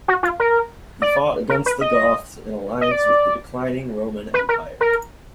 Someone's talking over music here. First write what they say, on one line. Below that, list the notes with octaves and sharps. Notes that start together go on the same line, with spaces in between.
He fought against the Goths in alliance with the declining Roman Empire.
F#4
F4
A#4
D5
A#4
B4
D#5
D#5
D5
B4
A#4
A#4